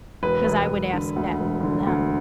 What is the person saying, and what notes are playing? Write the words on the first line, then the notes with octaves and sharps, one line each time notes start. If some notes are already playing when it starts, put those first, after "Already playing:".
'Cause I would ask that from them.
E1 B4
E1
E1
D3
D2
E1
D3
D2